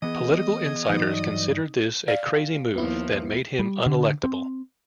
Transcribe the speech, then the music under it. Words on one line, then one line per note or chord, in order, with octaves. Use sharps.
Political insiders considered this a crazy move that made him unelectable.
E3 B3 G#4 D#5
G#6
A2 E3 F#3 B3 D#4
G2 D5
D5 F5
D#2 F3 B3 E4
G3
D3
C4